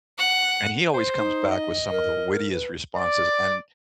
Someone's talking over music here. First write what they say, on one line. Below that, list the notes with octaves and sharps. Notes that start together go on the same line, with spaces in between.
and he always comes back with some of the wittiest responses, and
F#5
C5
D#4
D#5
A#4
B4
D5